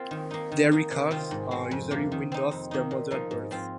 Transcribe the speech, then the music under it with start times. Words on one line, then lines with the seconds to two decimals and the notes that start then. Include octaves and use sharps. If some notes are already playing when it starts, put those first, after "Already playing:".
Dairy calves are usually weaned off their mother at birth.
Already playing: A#3 C4 F4
0.11 D#3
0.31 A#3 D#4
0.52 D#3
0.72 A#3 D#4
0.91 C3
1.11 D#3 C4 F4
1.31 G#2
1.51 G#3 C4
1.71 F2
1.91 C3 F3 A#3
2.12 D#3
2.32 C4 D#4
2.51 F2
2.71 D#3 A#3 D#4
2.91 A#2
3.11 F3 A#3 D#4
3.31 G#2
3.51 F3 C4 F4